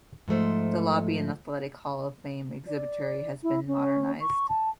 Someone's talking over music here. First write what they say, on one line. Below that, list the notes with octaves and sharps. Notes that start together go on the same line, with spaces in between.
The lobby and Athletic Hall of Fame exhibitry have been modernized.
G#2 F3 A3 C5
D5
E4
C#4
C#6
A5